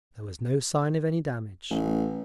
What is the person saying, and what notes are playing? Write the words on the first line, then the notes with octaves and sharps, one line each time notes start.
There was no sign of any damage....
A1